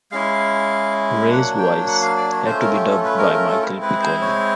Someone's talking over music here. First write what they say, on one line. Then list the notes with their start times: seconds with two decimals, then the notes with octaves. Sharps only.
Rey's voice had to be dubbed by Michel Piccoli.
0.11 G#3 C#4 E4 F5
1.29 F#3 A#3 D4 F#5
1.58 G5
1.87 F#5
2.02 F5
2.17 D5
2.32 C#5
2.46 A3 C#4 F4 C5
2.60 A#4
2.75 G4
2.90 A4
3.04 B4
3.19 A#4
3.34 A#4
3.48 A4
3.63 G#3 C4 E4 A#4
3.82 B4
4.02 C5
4.21 C#5